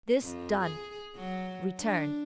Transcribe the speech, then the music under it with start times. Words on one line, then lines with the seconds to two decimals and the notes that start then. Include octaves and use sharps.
This done, return.
0.22 F2
0.64 G#4
1.16 F#3
1.78 D4